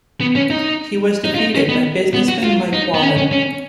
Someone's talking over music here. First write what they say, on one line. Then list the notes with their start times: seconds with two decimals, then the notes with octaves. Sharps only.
He was defeated by businessman Mike Whalen.
0.21 B3
0.36 C#4
0.50 D#4
1.24 D#4
1.34 F4
1.39 D#4
1.55 C#4
1.69 B3
2.14 B3
2.29 F#4
2.43 F4
2.73 D#4
2.94 B3
3.03 C#4
3.17 C#4
3.32 C#4